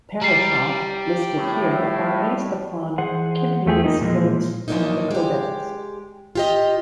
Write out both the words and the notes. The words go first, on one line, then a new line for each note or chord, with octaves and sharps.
"Parashot" listed here are based upon Kimhi's notes on the codex.
G3 A#5 C7
A2
E3 G#4 C5 F#5
E2 A3 G4 G#4
A#3 B3 D#4
A#2 E3 F3 G#3
F3 F#3 G#3 A#3 D4 D#4
G#3 G4
F4 G4 D#5